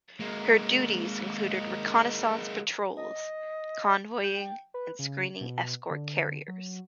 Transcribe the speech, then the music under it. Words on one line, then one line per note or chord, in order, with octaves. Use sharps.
Her duties included reconnaissance patrols, convoying, and screening escort carriers.
G#3 A#3
D#5
G5
B4
C#3
B2
D3
F#3